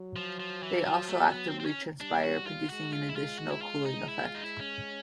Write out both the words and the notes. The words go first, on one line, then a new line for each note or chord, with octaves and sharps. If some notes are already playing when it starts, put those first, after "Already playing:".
They also actively transpire, producing an additional cooling effect.
Already playing: F#3
F3
F3
E3
F3
A3
B3
C4
C4
C#4
G3 D4
F#4
F4
G#3 F#4
F4
E4
F4
F#4
E4
F4
D#4
E4
F4
D#4
E4
C#4